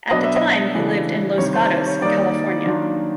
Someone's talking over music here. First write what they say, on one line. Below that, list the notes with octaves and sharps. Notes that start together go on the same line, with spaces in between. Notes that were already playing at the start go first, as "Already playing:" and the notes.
At the time he lived in Los Gatos, California.
B2 F#3 B3 D4 D#5
E5
D#5
C#3 E3 A3 D4
C3 D#3 G3 C#5
C5
C#5
D#3 G3 A#3 D#4 D5
D#3 F#3 A#3 D4 F4